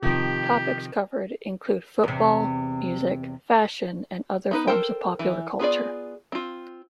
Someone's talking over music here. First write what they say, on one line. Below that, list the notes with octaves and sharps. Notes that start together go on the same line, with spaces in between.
Topics covered include football, music, fashion and other forms of popular culture.
C3 D#3 F3 G4
E2 C3
B3 D#4 B4
A4 A#4 C5 G5
E3
B3 F4 G#4 D5
C4 F4